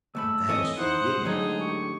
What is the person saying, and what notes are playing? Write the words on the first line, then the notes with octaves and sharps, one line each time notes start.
But that is forbidden!
C#2 A3 B5 E6
E3 C4 A4 C#5 D#5
D#4 E4 C5 F#5 D#6
A2 D3 F#3 G#3 D#4 G#4
G4 C#6